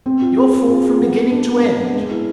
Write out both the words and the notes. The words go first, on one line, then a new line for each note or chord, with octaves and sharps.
'Your fault from beginning to end.'
C4
F4
G#4
G#4
F4
F4
B3
B3
D4
B3
D4
B3
G#3
E4